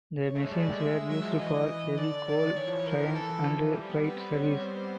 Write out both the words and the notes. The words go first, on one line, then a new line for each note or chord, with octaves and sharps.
The machines were used for heavy coal trains and freight service.
C#5
A3
G#3
G3 D5
G#3
G#3 E5
F#3 E5
F3
E3 D#5
D3 D5
D3
D#3 D5
E3 C#5
F3
E3
F3 A#4
E3
E3 A4
F3
F3
G3
B3
C4 B4
C#5
C5